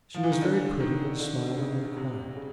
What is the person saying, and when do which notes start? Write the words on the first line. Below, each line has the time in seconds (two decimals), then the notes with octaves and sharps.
She was very pretty and smiling and quiet.
0.14 F3
0.23 E3
0.32 D#3
0.42 D3
0.80 D#3
1.20 D3
1.58 C#3
1.97 C3
2.36 C#3